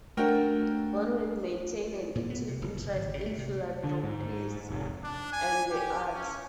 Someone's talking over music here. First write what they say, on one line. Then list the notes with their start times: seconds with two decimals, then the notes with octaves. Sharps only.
Bonwit maintained an active interest in philanthropies and the arts.
0.17 A3 D4 F#4 A#4 G5
2.15 A#2
2.30 B3
2.48 C3
2.62 F#1
2.96 G#1
3.14 C#3
3.26 A3
3.39 C3
3.84 D3
4.03 G#2
4.70 F1
5.04 D4
5.33 G#5
5.71 G4
6.13 C#4